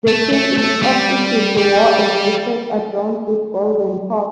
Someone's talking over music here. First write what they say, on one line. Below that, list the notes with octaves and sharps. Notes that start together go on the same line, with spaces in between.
The queen of Egypt wore a bracelet adorned with golden hawks.
A3
A3
A3
G3
G3